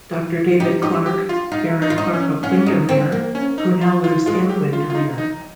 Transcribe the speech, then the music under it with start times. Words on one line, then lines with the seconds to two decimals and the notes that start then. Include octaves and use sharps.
Doctor David Clark, Baron Clark of Windermere, who now lives in Windermere.
0.60 D#4 G4
0.83 D#4 G4
1.06 G4
1.29 F4
1.52 D#4 F4
1.82 D#4
1.90 F4
1.98 D#4
2.13 C#4
2.43 C#4 F4
2.66 D#4
2.89 C4
3.12 A#3
3.35 C#4
3.58 D#4
3.81 F4
4.04 F4
4.26 G#3 F4
4.49 G4
4.73 F4
4.90 F4
4.95 D#4
5.18 D#4